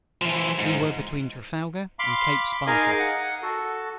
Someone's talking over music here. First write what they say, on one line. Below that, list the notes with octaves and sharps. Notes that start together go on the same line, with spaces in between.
We were between Trafalgar and Cape Spartel.
E3 F3
G#2
F5 B5 C6 D6
D#4 G#4 A#4 D#5 F5 G#5
F#5
F#4 A4